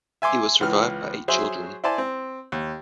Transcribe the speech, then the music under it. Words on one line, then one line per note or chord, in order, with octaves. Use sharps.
He was survived by eight children.
E5 G#5 C6 D6
C#2 E3 F6
F#3 G#4 C5 E5
E4 C5 D5 G#5 A5
C4
D#2